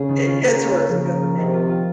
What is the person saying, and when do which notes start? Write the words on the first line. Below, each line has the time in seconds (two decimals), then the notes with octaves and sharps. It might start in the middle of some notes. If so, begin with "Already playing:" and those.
It gets worse, It gets wor
Already playing: C#3 G#4
0.09 D#3
0.26 F4
0.41 C#3 A#3
0.57 G#4
0.73 F4
0.89 C#3 F3
1.05 A#4
1.21 F4
1.37 C3 D#3 C4
1.53 F4
1.69 F4